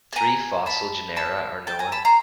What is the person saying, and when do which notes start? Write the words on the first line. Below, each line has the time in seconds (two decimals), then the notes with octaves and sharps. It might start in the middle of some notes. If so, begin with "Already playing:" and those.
Three fossil genera are known.
0.12 A5
0.16 G#5 A#5
0.66 A5 B5
1.16 A5 B5
1.67 G5 A5
1.79 G#5 A#5
1.92 A5 B5
2.05 A#5 C6